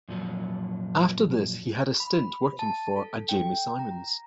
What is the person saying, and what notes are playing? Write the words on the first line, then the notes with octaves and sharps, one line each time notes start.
After this he had a stint working for a Jamie Symonds.
F#2 A#2 F3 F#3
B5
A5
A4
G5
A#5